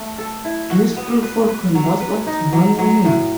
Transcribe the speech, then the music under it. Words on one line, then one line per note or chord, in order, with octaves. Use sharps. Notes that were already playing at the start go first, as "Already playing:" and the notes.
This freefall can last up to one minute.
Already playing: A3
A4
E4
F#4
B3
B4
B4
F#3
B4
D#4
F#3
F#3
A2